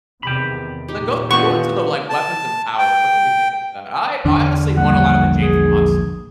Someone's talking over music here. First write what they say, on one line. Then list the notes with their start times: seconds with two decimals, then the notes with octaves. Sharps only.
like, go go into the, like, weapons and powers. What can we think of that? I I honestly want a lot of the James Bond stuff,
0.23 E2 C3 D#3 G5 B5
0.88 A#2 D#3 D#4 G4
1.31 E3 B3 D4 F4 G4 F#5 C#6
2.10 A5
2.78 G5
4.25 E2 D3 D4
4.77 A#1 G3 A#3 F#5
5.40 G#4